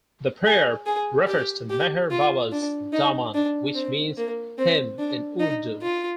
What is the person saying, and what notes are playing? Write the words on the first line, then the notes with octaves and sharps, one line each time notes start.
The prayer refers to Meher Baba's "daaman", which means "hem" in Urdu.
G#4
G#4
G4
G4
F4
D4
D#4
D4
C4
A#3
C4
D4
D#4
F4